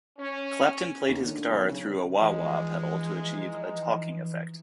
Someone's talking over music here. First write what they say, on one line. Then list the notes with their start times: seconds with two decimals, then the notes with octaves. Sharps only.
Clapton played his guitar through a wah-wah pedal to achieve a "talking-effect".
0.18 C#4
1.08 D#2
1.26 D3
1.50 B1
1.69 C#3
2.19 E3 F3 G#3 D#4